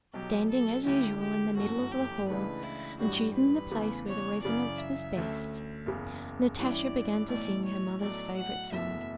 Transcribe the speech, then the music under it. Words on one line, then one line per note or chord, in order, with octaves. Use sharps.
Standing as usual in the middle of the hall and choosing the place where the resonance was best, Natasha began to sing her mother's favorite song.
B1 B2 F#3 G4
A4
D2 D3 G3 C#4 E4 G4
G4
G1 F#2 E3 A3 C#4 F#4
G4
C#2 C#3 E3 A3 D4 B4
E4
A1 G2 E3 G3 D4 F#4
B4
E2 C#3 E3 A3
C#5
F#2 C#3 E3 D5
E5
D2 D3 A3 C#4
F#1 E2 C#3
G2 E3 G3 C#4 E4 D5
B1 A2 E3 A3 D5
C#5
B1 A2 F#3 A3 D5
F#5
F#1 E2 B2 A3 E4 E5